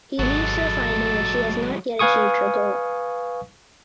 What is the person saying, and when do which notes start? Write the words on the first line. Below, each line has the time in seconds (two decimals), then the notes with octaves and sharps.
He leaves her finding that she has not yet achieved her goal.
0.19 G#1 F#3 G#3 A4
1.99 B4 F5 G#5 C#6 D#6